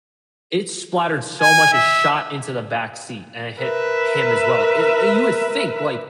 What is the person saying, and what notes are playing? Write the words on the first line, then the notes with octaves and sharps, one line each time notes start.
it splattered so much and shot into the backseat, and it hit him as well, a and you would think, like,
G#5
E5
A#4 B4 E5